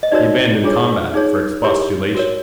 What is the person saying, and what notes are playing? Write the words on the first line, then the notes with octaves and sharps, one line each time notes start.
He abandoned combat for expostulation.
D#5
D#4 F#4 A#4 C#5 D5
D4 F4 G#4 C#5
D#4 G#4 C#5
E4 G4 A#4 C#5
F#4 A#4 C#5